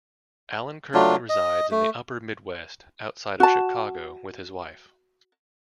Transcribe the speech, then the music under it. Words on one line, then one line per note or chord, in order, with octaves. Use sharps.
Allen currently resides in the upper midwest, outside of Chicago, with his wife.
F#3 A3 D4 F4
D#5
A3
F#4 A5